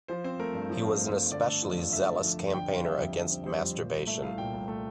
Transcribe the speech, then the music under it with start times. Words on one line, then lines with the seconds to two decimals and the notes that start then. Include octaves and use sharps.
He was an especially zealous campaigner against masturbation.
0.08 F3 C5
0.24 C4 C5
0.40 A3 A#4
0.54 G2
0.70 F3
0.86 C4
1.01 A3
1.16 G2
1.31 D3 D5
1.47 A3
1.62 F3
1.78 F2
1.92 D3 E5
2.08 A3
2.23 F3
2.39 F2
2.54 D3 G5
2.69 C4 F5
2.85 G3 E5
3.00 F2
3.15 D3
3.30 C4
3.45 G3 C5
3.61 F2
3.77 A#2
3.92 C2
4.07 A3 E5
4.22 C2 F5
4.38 A#2 G5
4.53 C2
4.68 A3